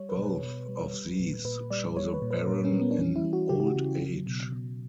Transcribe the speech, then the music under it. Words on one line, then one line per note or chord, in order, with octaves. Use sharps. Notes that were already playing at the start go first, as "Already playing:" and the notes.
Both of these show the baron in old age.
Already playing: G3 C#5
B4
B2
B4
B2
G3
G3
A#2
A#2 B4
G3 D5
G3 C#5
B4
A#2
B4
A#2 A#4
C#4
G3
B3
D4
E3 C#4
E4
G3
F#4
C#3 G4
G4
F#4
C#3
F#3
B2
B2